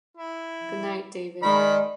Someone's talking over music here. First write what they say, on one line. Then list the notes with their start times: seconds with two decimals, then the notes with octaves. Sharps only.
Good night, David.
0.17 E4
1.43 D#3 G#3 D5 B5